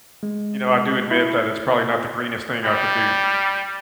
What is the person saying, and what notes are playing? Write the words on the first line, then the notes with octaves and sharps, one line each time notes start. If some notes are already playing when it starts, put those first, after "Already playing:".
you know, I do admit that it's probably not the greenest thing I could do.
G#3
E4
G3